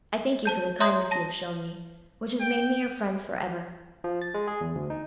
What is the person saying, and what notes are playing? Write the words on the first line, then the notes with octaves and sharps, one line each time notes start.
I thank you for the kindness you have shown me, which has made me your friend for ever.
C5 A5 G6
C#5 E5 A#5 C6 D#6 G6
A5 A#6
G5
F3
A6
G#3
G#4
E2
D2
D#4